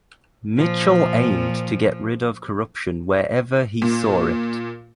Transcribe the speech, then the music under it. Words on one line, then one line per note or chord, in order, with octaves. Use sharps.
Mitchel aimed to get rid of corruption wherever he saw it.
A#2 F3
A#2